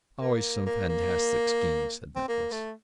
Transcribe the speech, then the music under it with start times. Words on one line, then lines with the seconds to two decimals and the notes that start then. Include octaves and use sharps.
"Always some fantastic schemes," said Nicholas.
0.20 A#3
0.66 A#3
0.89 A#3
2.16 C4
2.28 A#3
2.52 A3